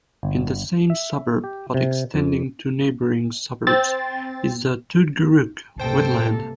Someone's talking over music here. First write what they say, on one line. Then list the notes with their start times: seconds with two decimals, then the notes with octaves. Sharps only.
In the same suburb, but extending to neighbouring suburbs, is the Tootgarook Wetland.
0.23 G1
0.90 E5
1.44 G4
1.74 C3
2.14 F2
3.67 C4 A6
5.80 C#2 G2 C3 A#3 A4 C5 G5